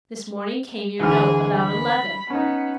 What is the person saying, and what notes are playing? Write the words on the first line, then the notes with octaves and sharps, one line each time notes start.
This morning came your note, about eleven.
D2 E3 G#4 F6
B5
B3 C#4 D#4